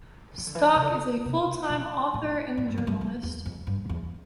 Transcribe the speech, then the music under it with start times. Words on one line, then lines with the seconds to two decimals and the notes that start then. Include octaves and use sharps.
Stock is a full-time author and journalist.
0.38 E3
0.47 D3
0.55 E3
0.76 C3
0.82 D3
1.25 C3
1.70 B2
2.14 A2
2.57 A2
2.68 G2
2.78 F2
2.87 G2
3.01 E2
3.23 E2
3.46 F2
3.67 G2
3.90 E2